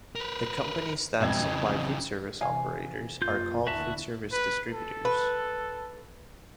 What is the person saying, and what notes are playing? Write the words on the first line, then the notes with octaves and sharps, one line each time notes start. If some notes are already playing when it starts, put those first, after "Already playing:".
The companies that supply foodservice operators are called foodservice distributors.
A#4 B4
A1 F2 G#2 B2 G#6
C#3 E3
C3 E3 F5 G#5
F#2 A#3 F4 G6
D2 E4 F#4 E5 A5
B4
A4
B4